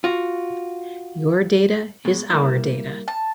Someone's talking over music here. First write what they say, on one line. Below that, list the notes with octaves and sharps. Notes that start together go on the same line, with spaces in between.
Your data is our data.
F4 F#4
B2 G#3
G3 A#3 E4
A5